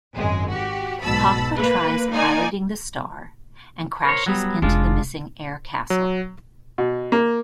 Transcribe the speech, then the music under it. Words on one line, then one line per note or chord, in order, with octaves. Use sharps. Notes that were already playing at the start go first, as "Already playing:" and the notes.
Popla tries piloting the star - and crashes into the missing air castle.
G#1 F#2 G#3
F#4 G4
B1 G#2 B2 A5 B5 E6
A#3 B4
A#3 D#4 D5 G#5
A#4 C5 C#5
F#3 G3 B3
F1 G#3 D4 F4
F#3
B2
A#3